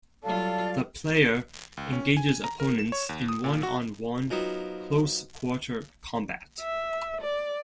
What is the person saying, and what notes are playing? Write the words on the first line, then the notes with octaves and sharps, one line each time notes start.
The player engages opponents in one-on-one close quarter combat.
F#3 G3 F4 A4 D5 F5 A5
C#2
C#4
G#5
A#5
A#4
E7
C#5
D#2
D#6
A#2
F#4
D#3 F3 F#3 B3 F4
E5
D5